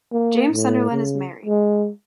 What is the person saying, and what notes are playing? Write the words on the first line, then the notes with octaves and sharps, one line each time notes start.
James Sunderland is married.
A#3
A2
C#3
G#3